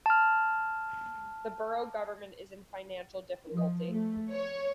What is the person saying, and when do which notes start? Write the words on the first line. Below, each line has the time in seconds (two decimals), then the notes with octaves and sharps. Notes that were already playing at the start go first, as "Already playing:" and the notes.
The borough government is in financial difficulty.
0.06 A5 F6
3.52 F3
3.90 A3
4.30 C#5